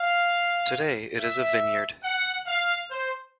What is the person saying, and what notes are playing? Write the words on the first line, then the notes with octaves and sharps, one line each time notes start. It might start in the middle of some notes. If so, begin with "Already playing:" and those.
Today it is a vineyard.
Already playing: F5
E5
F#5
F5
C5